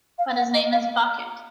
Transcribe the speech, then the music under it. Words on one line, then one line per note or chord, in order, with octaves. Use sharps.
But his name is Bucket.
F5
F#5
D#5
F5